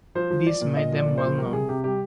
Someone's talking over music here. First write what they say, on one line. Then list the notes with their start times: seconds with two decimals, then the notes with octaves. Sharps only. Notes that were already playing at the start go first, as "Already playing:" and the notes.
This made them well known.
0.15 F3 C5
0.30 F3
0.46 F3 D5
0.61 A#2
0.77 A#2 D#5
0.92 F3
0.97 D5
1.08 A#2
1.18 C5
1.23 F3
1.38 G3 A#4
1.53 C3 G#4
1.69 C3 G4
1.84 G3 G4